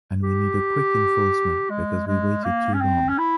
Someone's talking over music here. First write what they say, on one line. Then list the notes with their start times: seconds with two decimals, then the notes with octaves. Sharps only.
And we need a quick enforcement, because we waited too long.
0.23 G4
1.70 G#3
2.07 G#3
2.44 A#3
2.74 C#4
2.81 C4
3.09 C#4
3.18 E4